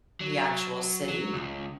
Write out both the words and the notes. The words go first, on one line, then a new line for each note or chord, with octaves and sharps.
the actual city
F#3
F#3
C#2